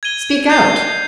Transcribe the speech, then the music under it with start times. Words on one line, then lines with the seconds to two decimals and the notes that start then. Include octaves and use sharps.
"Speak out."
0.03 G#6 D#7 G7
0.50 G6 C7 F7